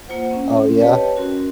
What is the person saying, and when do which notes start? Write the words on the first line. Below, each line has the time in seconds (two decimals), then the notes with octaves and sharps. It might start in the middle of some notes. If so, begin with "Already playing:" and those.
Oh, yeah?
0.08 A#3 F4 C5 F#5
0.31 C4 C#4
0.80 G4 B4 C#5 D#5 G5 A5
1.16 C#4 F#4 A#4 C6